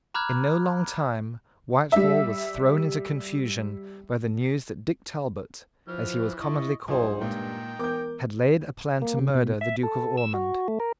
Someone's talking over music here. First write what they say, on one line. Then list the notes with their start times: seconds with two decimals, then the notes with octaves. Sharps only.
In no long time Whitehall was thrown into confusion by the news that Dick Talbot, as he was commonly called, had laid a plan to murder the Duke of Ormond.
0.14 A#5 B5 D6 F6 F#6 G#6
1.92 G3 E5
5.88 E3 F3 F6
6.41 E4 D#5 C#6
6.88 B1 G2 F4 G#4 B4 C5 G#5
7.21 A#2 G#3 D#4 G5
7.79 E3 B3 A#4 D6 G6
9.02 A#3
9.19 C#3
9.35 B2
9.61 E5
9.83 A4
10.17 E6
10.34 F#4
10.68 A3
10.80 A#4